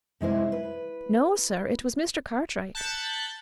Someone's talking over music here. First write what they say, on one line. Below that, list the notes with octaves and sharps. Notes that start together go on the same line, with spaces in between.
"No sir--it was Mr. Cartwright."
C3 G#3 E4 C5
B4
A5 F#6 G6 A6 B6 C#7